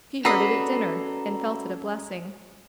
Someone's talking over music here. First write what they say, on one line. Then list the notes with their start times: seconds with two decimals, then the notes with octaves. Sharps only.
She heard it at dinner, and felt it a blessing.
0.25 C#4 F#4 A4 B4 D5 A#5 D#6 C7